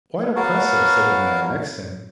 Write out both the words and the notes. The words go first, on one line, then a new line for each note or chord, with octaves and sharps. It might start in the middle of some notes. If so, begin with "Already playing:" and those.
"Quite oppressive," said the man next him.
B3 F#4 A#4 C#5 F5 A5